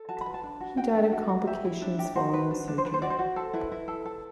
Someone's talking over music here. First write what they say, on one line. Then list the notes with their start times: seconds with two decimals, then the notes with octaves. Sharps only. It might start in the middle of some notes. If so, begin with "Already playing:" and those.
He died of complications following surgery.
Already playing: A4
0.09 F#4 A5
0.21 B5
0.27 B4
0.34 A5
0.44 D4
0.60 F#4
0.77 F#4 G5
0.95 D4
1.12 F#4
1.29 F#4
1.47 G4 E5
1.65 E4
1.82 D4
1.99 G4
2.15 F#4 C5
2.34 B4
2.51 D4
2.68 D4
2.78 C5
2.85 D4 B4
2.94 C5
3.02 F#4 D5
3.10 C5
3.19 F#4
3.36 A4
3.54 E4 B4
3.72 E4
3.88 A4
4.06 A4